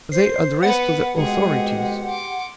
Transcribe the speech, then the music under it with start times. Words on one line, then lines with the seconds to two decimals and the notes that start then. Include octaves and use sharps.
They addressed to the authorities.
0.12 C5 C7
0.63 B3 B4 F#5
1.16 F2 B2 G#3 G4 G#4
2.07 C6 D6